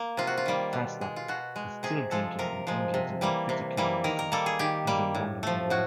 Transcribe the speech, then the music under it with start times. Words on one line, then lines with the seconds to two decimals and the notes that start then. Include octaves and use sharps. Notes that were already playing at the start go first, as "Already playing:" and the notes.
Falstaff is still drinking and engaging in petty criminality in the London underworld.
Already playing: A#3
0.17 C3 F4
0.27 F#4
0.38 F4
0.46 D#3 G3 A#3
0.73 B2
1.01 G#3
1.16 F4
1.28 B2 F#4
1.56 G#3
1.83 C3 G#4
2.11 F3 G#3 A4
2.39 C3 A#4
2.67 F3 G#3
2.94 C3
3.21 E3 G3 A#3
3.49 C3
3.77 E3 G3 A#3
4.04 D#3 A#4
4.19 A#4
4.32 G3 A#3 A4
4.46 G#4
4.59 D#3 G4
4.87 G3 A#3
5.15 A2
5.43 F3 A3
5.70 A2 F#4